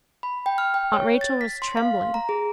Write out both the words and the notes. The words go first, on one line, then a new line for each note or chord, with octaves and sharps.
Aunt Rachel was trembling.
B5
G5
F6
G5
C#5
A6
B6
C6
F5
A#5
G#4